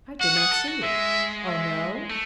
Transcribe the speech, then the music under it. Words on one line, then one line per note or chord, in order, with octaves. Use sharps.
I did not see you." "O no!
F#4 F#5
G#4
A4
F#4
G#3 E5
E5
A3